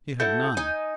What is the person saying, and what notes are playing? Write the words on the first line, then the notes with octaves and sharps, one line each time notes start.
He had none.
A3 E4 F#4 G6
D#4 G#5